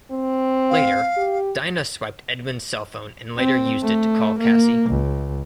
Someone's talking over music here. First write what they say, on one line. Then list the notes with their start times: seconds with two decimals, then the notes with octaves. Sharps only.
Later, Dinah swiped Edmund's cell phone and later used it to call Cassie.
0.12 C4
0.70 F5
1.17 G4
3.37 C4
3.82 A3
4.39 A#3
4.90 C#2